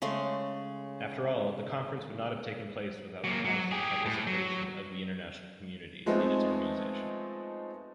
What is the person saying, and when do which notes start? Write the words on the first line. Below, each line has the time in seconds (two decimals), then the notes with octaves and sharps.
After all, the conference would not have taken place without the constant participation of the international community in its organization.
0.02 C#3 G#3 A3 C6
3.24 F#3 A#3
3.45 F#3
3.72 G4 G#4
4.06 A2
4.27 F#3
6.06 F3 G#3 A3 B3 C4 D#4